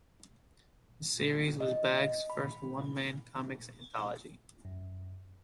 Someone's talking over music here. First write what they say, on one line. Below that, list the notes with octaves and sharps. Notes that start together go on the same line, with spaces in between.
The series was Bagge's first one-man comics anthology.
D#5
B5
F#2